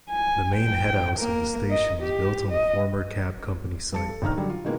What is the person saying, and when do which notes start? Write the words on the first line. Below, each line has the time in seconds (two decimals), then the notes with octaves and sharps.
The main headhouse of the station was built on the former cab company site.
0.10 G#5
0.56 G5
1.19 A#3
1.71 D#5
2.02 G4
2.51 D#5
3.93 G2 A5 C#7
4.09 A4
4.22 A#1 D#3 A#5 F6
4.36 D3 F#3 G3
4.50 F4
4.64 B2 D#3 G#3 A#3 B3 E4